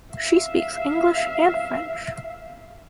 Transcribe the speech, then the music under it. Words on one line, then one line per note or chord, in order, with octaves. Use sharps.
She speaks English and French.
E5 F5